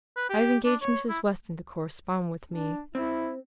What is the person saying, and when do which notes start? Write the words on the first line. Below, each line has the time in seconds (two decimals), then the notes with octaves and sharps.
I have engaged Mrs. Weston to correspond with me.
0.17 B4
0.30 G4
0.65 D4
0.82 C#5
1.09 E4
2.52 D4
2.95 C4 E4